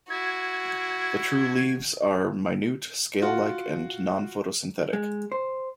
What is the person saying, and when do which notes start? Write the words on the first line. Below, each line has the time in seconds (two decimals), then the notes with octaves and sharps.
The true leaves are minute, scale-like and non-photosynthetic.
0.10 E4 F#4 G#6
3.22 F4 F#4 F#5
4.93 G#3
5.32 C5